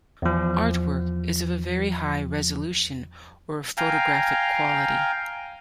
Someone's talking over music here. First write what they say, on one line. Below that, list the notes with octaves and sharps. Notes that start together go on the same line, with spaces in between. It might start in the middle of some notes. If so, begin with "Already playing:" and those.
Artwork is of a very high resolution or of photographic quality.
E2 F3
F5 G5 G#5 A#5